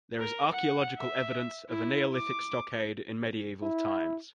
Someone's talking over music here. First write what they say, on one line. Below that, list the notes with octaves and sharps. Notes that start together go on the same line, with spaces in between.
There is archaeological evidence of a Neolithic stockade in medieval times.
A#4
F#5
E5
E4
D6
E4